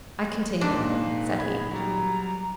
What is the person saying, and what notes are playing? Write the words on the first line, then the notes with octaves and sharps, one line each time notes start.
"I continue," said he.
G#2 D4 D#5
A#2 D#3 F5
G#4 B5 G#6
F#3 G3 A#5